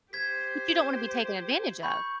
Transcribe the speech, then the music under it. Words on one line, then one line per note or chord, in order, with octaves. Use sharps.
but you don't wanna be taken advantage of.
G4 C5 G#6 B6
B5 C#6 G6